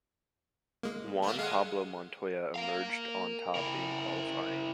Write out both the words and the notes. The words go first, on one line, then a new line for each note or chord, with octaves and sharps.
Juan Pablo Montoya emerged on top in qualifying.
G#3 A#3
A3 A#3
G#3 F5 F#5
A#4 F5
E4 A#4